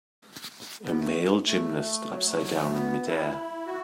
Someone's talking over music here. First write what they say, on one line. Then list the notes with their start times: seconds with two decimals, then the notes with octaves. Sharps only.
A male gymnast upside down in midair.
0.83 B3
0.99 A3
1.46 A3
1.78 A3
2.09 F#3
2.26 A3
2.41 F#3
2.57 A3
2.72 B3
3.05 E4
3.67 F#4